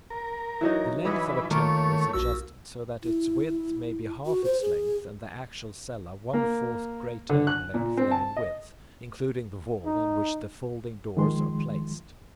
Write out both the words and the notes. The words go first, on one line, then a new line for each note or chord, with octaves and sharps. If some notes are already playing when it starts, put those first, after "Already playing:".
The length of a temple is adjusted so that its width may be half its length, and the actual cella one fourth greater in length than in width, including the wall in which the folding doors are placed.
A#4
E3 F#3 D#4
E3 B4 C#5 D#5 F#5
D#3 A3 A#3 F4 C#5
A#1 F#4 E6
E4
F#4
C5
G#4
A#3
D3
F#6
A#2
C4
A5
D#5
D#4
D#3 F3 G#3 C6